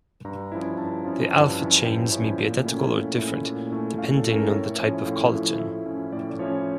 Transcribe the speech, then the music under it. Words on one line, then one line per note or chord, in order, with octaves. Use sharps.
The alpha chains may be identical or different, depending on the type of collagen.
G2 A#5
F3 C#4 E4
G2 A5
F3 C#4 E4
G2 A5
F3 C#4 E4
G2 G5
F3 C#4 E4
A#2
A3 C#4 E4
A#2
A3 C#4 E4
A#2
A3 C#4 E4
A#2 F5
A4
A3 C#4 E4
A#4
A2 C#5
F3 C#4 E4
A2 F5
F3 C#4 E4
A2 E5
F3 C#4 E4
A2 D5
D5
F3 C#4 E4 C#5